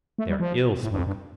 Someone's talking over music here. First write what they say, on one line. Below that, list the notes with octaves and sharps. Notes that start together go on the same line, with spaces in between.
They are ill spoken.
A3
G3
F3
A2
G2
F2
G2